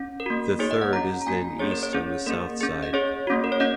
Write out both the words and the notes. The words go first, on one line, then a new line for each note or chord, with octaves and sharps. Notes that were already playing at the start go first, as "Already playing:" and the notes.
The third is then east on the south side.
Already playing: C#4
A#4
A#3 F#4
A#3 D#4 G#4 C#5
D#5
F#5
C#4 F#4 A#5
A#5
A#3 C#4 F#4 G#5
A#3 C#4 G#4 C#5
A#4
C#5
C#4 G#4
A#3 C#4 G#4 A#4
C#4 G#4
D#5
C#4 G#4 C#5
A#3 C#4 F#4
A#4
C#5
C#4 D#5